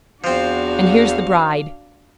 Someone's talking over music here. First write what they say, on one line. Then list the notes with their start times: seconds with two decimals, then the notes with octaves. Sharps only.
And here's the Bride!
0.24 E2 F3 C4 D4 F#4 F5